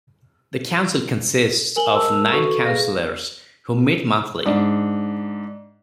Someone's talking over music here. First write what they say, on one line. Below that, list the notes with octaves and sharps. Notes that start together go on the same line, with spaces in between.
The council consists of nine councillors, who meet monthly.
A#4 G#5 F#7 G7
A#4 A5 E6
F#4 A4 B4 C#6
G#4 B4 F5 A#6
G#2 D4